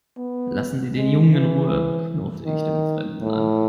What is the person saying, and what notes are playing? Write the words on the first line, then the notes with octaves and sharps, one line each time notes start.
"Lassen Sie den Jungen in Ruhe", knurrte ich den Fremden an.
B3
G#3
E3
D#3
A2